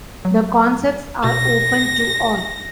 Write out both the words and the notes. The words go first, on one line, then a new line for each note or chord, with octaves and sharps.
The concerts are open to all.
F#3
B2 A#6